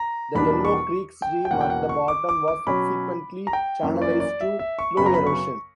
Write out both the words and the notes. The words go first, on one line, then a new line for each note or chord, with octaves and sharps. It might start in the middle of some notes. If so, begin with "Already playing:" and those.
The Yellow Creek stream at the bottom was subsequently channelized to slow erosion.
Already playing: A#5
E2 B2 G3 A#3 D4 B5
C#6
G5
G5
E2 B2 A#3 C#4 F#5
G5
F#5
C#6
D6
D6
D6
B2 F#3 C#4 B5
A#5
G5
F#2 E3 A#3 C#4
D5
D5
E5
E5
C#6
F#2 C#3 F#3 B3 B5
A#5
B5
C#6